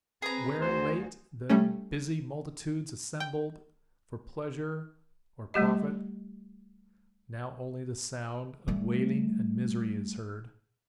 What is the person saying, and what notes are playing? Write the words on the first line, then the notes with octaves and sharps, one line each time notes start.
Where late the busy multitudes assembled for pleasure or profit, now only the sound of wailing and misery is heard.
C4 G#4 B4 A#5
D2 F#4 C5
G3 A3 C#4
G5
G3 A3 G4 D#5
G3 A3